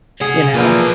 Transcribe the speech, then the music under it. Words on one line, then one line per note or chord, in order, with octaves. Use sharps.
you know,
C3 G#4 F#5
B1 A#2 E3 F3 A#3 B4